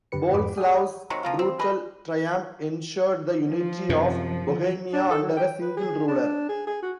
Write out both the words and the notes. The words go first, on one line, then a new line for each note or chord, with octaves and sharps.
Boleslaus's brutal triumph ensured the unity of Bohemia under a single ruler.
F#2 D3 G4 B4 C#7
F2 G#2 B4 B5 D6
G4 G#4 D5 F#5 G5 D#6
C3 D#3 F#3 G#3
F3 A#3 F4
C4
G#4 B4 D#5
F3
F#2 C3
D4
A4
F#3
G5
B4
G#4
D4
G#4
G#4
F#4